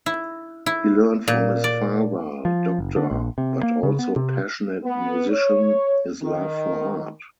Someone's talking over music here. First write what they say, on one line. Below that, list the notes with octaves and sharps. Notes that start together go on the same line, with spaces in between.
He learnt from his father, doctor but also passionate musician, his love for art.
E4
E4
A#2
D5
F3
F#1
D3
A#1
C3
A#3
C#3
B3
C3
B3
C#5
D#3